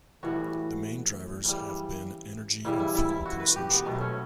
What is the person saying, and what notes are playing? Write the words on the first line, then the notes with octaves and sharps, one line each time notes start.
The main drivers have been energy and fuel consumption.
A2 E3 G3 F#4
C#3 E3 G3
C#3 E3 G3 E4
E4
E4
E4
F#4
B4
G4
B3
B2 F#3 A3
C#4